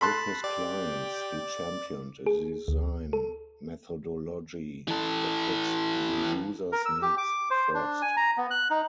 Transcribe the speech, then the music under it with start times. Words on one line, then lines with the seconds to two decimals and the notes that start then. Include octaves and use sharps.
With his clients, he championed a design methodology that puts the users' needs first.
0.01 A4 A5 B5 C6 F#6
0.44 G4 D5
2.26 G#4
2.68 D2
3.13 A4
4.88 E3 A4
6.72 A#4
6.85 E6
7.02 G4
7.18 D6
7.51 C5
7.74 D4
8.02 G#5
8.17 A#5
8.37 B3
8.51 F#6
8.70 D#4